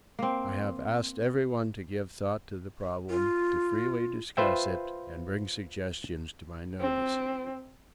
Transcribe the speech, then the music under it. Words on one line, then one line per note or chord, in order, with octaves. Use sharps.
I have asked everyone to give thought to the problem, to freely discuss it, and bring suggestions to my notice.
A#3 C4
F4
F4 B4 C5 E5 G5
C4